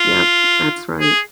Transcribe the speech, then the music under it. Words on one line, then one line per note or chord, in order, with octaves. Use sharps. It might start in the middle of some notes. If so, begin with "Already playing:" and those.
Yep, that's right.
Already playing: F4
G#4